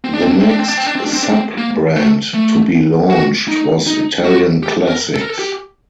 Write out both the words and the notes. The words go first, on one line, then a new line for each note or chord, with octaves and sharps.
The next sub-brand to be launched was "Italian Classics".
C4
D4
C4
D4
C4
D4
C4
D4
C4
D4
C4
D4
C4
D4
C4
A#3
A3
A3
F#4
D#4
D#4
F#4
G4
A#4
A4
A#4
A4
G4